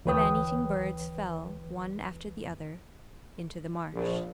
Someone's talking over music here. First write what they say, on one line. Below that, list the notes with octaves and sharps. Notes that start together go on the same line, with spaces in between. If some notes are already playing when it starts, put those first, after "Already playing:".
The maneating birds fell, one after the other, into the marsh.
D2 E3 B4 C#5 G5 D#6
A#1